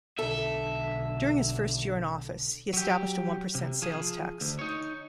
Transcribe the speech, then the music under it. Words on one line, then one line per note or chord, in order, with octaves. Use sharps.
During his first year in office, he established a one-percent sales tax.
B1 D3 A4 E5
F#3 G4
C3
F3 G#4
D2
D#4 C#5